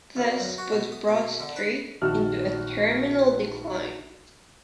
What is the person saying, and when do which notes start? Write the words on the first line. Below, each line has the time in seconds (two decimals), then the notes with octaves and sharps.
This put Broad Street into a terminal decline.
0.16 D2
0.40 F#2
0.58 F#4
0.72 B2
0.92 D#6
1.09 B2
1.40 D3
1.56 B4
2.02 A#1 D#3 F#4 E5 A5 F6